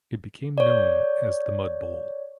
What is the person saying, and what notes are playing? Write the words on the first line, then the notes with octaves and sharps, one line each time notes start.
It became known as "The Mud Bowl".
C#5 D5